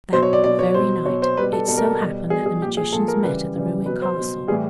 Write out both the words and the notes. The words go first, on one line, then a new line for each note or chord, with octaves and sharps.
That very night it so happened that the magicians met at the ruined castle.
B2 F#3 C5
C#5
D5
B2 F#3 D5
C#5
B2 F#3 C5
B2 F#3 C#5
C5
B2 G3 B4
A4
B2 G3 A4
A#4
A4
B2 G3
B2 G3 G#4
G#4
A#2 F3 G4
G#4
A#2 F3 A4
A#4
C#3 E3 G3 B4
C#3 E3 G3
B2 F#3 B4
C5
B2 F#3
A2 E3 G3 G#4